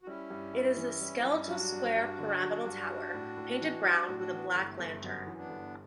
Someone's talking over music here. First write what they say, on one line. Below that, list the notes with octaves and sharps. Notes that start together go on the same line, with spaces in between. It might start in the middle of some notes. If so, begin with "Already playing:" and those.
It is a skeletal square pyramidal tower, painted brown, with a black lantern.
F#4
G3 C#4 E4
G2
G2
E3
G3
G2
F#3 D4 F#4
G2
G2
D3
F#3
G2
G3
A2
A2
E3
G3
A2
A3
E3 B3
G1
A3
G1
F#2 B3
E3
B3 D4
G1